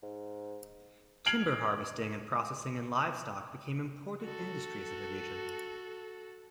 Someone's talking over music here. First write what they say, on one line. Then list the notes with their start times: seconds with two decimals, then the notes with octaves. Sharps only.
Timber harvesting and processing and livestock became important industries in the region.
0.03 G#2
1.26 F6 G#6 C7 D7 F7 F#7
4.21 F#4 A4